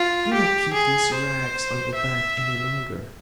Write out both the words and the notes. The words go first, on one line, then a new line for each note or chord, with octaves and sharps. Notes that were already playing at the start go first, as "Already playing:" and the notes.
Do not keep these rags on your back any longer.
Already playing: F4
G4
G#4
C5
E5